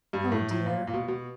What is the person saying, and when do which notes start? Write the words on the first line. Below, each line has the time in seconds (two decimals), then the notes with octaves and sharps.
"Oh, dear!"
0.13 G2
0.32 A2
0.51 A2
0.66 A#2
0.87 A#2
0.93 B2
1.08 B2